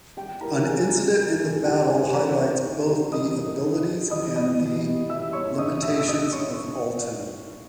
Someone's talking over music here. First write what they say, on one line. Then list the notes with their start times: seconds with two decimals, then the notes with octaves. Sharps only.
An incident in the battle highlights both the abilities and the limitations of Alten.
0.17 G3 G4 G5
0.41 E4 A#4 A#5
0.66 G3 G#4 G#5
0.90 C#4
1.15 G3
1.40 E4
1.65 G3 G4 G5
1.89 C#4 G#4 G#5
2.14 E3 A#4 A#5
2.38 A#3 C#5 C#6
2.63 D#4
2.87 G3
3.12 E3 D#5 D#6
3.37 A#3
3.61 D#4
3.86 G3
4.10 E3 D#5 D#6
4.35 B3 D#5 D#6
4.60 E3
4.84 G3
5.09 E3 E5 E6
5.33 B3 C#5 C#6
5.58 E3 D#5 D#6
5.82 G3 E5 E6
6.00 E6
6.07 C#3 D#5 D#6
6.32 B3 C#5 C#6
6.57 D#4